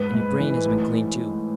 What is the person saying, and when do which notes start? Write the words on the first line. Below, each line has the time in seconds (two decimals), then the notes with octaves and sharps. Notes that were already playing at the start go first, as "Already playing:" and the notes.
And your brain has been cleaned, too....
Already playing: G#2 B4
0.14 G#2
0.40 E3
0.66 A2